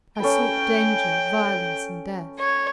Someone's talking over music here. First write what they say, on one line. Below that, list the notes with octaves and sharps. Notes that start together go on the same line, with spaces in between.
I sought danger, violence, and death.
C#4 A4 B4 G5
C#5